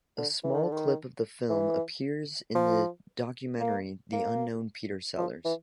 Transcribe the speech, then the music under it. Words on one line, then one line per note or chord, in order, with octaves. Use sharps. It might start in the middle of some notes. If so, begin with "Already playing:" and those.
A small clip of the film appears in the documentary "The Unknown Peter Sellers".
D3
E3
D#3
D3
D#3
E3
F3
A#3
A#3
F3
E3